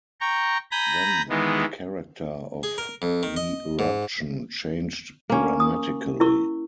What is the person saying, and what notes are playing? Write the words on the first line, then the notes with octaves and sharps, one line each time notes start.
Then the character of the eruption changed dramatically.
G5 A#5 C#6
G#5 A#5 B5 G6 A#6
D#3 E3 G#3 B3
G#4
A#4
F2
D#3
D#5
G#2
A#3 C#4
D#6
E4 A#4 C#6